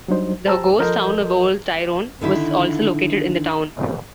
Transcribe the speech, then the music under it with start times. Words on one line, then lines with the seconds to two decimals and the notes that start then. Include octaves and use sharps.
The ghost town of Old Tyrone was also located in the town.
0.08 F#3 G3 D4 D#4 C5
0.46 G4 C5 A5 A#5 E6
0.80 F3 A4 A#4 D#5 C6 G6
2.21 D3 D#3 E4